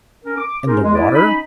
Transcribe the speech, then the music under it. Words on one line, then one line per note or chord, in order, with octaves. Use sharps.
"In the water?"
C#4 A#4
D6
C#4 D#4 F4 G#4 A#4
G#3
E4 D5 D#5
C#4 D#4 D#5 B5